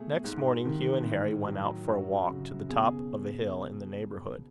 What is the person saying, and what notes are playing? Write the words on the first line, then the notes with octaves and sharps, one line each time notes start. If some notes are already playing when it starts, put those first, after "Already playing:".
Next morning Hugh and Harry went out for a walk to the top of a hill in the neighbourhood.
Already playing: B2 A3 G#4
G#2
D#3
A2
F#3
F#2 F#4
C#3
B2 G#4